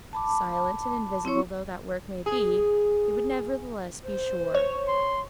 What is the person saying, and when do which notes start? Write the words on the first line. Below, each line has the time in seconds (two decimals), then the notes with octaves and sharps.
Silent and invisible though that work may be, it would nevertheless be sure.
0.13 A5 B5 D6
1.25 C4 E4 C#5 C#6
2.26 G#4
4.04 C5
4.54 C#5
4.87 C6